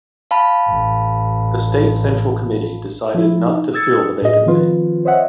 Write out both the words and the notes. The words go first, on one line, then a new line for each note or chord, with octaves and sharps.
The state central committee decided not to fill the vacancy.
F5 A5 B5
A1
F3 E4
D#4
D#6 E6 G#6 A6 C#7
A2 G#4 D#5
D#3 F3 C4 F4 B4
C5 C#5 D#5 E5 F#5